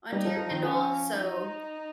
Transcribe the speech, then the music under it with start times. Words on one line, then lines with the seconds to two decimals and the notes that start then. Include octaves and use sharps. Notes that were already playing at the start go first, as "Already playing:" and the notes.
under your Kindle, so,
0.12 G3 D#4
0.25 F3
0.37 F3
0.51 D#3
0.63 F3 C#4
1.15 D#4